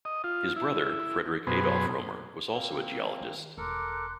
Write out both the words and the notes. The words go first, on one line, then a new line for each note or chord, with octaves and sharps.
His brother, Friedrich Adolph Roemer, was also a geologist.
D#5
F4
E4
F#2 B2 B3 G#4 C5
A#3 C4
D#3
E1 A4 A#4 C6 D6 F#6